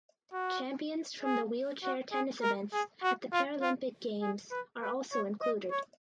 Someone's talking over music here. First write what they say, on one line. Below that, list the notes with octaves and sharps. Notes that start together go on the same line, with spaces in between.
Champions from the wheelchair tennis events at the Paralympic Games are also included.
F#4
G#4
F#4
G#4
A#4
G#4
F#4
F4
F4
G#4
B4
B4
C#5
D#5
C#5